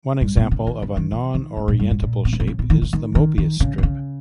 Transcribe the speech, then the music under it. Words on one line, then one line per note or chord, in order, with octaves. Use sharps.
One example of a non-orientable shape is the Mobius strip.
G2
B2
C#3
D#3
C#3
D#3
E3
D#3
C#3
A#2
G2
G#2
A#2
B2
C#3
B2
C#3
B2
D#3
C#3
D#3
D#3
D#3
C#3
B2
C#3